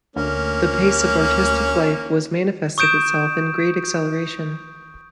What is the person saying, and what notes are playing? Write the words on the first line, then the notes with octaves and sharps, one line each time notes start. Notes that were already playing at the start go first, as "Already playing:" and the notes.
The pace of artistic life was manifested itself in great acceleration.
D2 A#3 C#4
C#6 D#6 G6 D7 E7